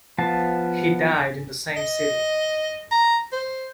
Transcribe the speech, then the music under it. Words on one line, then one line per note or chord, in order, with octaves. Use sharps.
He died in the same city.
F3 B3 F5 A5
D#5
A#5
C5